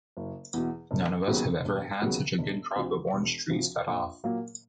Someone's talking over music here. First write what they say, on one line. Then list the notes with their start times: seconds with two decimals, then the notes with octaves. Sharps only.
None one of us has ever had such a good crop of orange trees cut off.
0.17 F#1
0.54 E2 B2
0.91 E1
1.28 D#2 C#3 F#3 B3
1.65 E1
2.02 D#2 C#3 F#3 B3
2.38 E1
2.76 D2 C3 F3
3.13 E1
3.49 D2 C3 F3
3.87 A#1
4.24 A#2 F#3 A#3